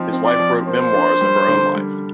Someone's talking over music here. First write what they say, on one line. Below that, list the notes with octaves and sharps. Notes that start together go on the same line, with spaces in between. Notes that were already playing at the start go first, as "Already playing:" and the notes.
His wife wrote memoirs of her own life.
Already playing: F3 C4 D#4
C4
D5
F3
A#3 C5
D4
G3
D3
G3